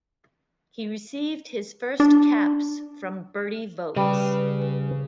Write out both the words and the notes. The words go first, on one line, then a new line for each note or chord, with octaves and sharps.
He received his first caps from Bertie Vogts.
D4
C#3 G3 B4